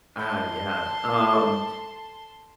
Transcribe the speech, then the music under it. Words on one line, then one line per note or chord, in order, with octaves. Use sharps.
I yeah, um,
A5 B5 C6 G6
A4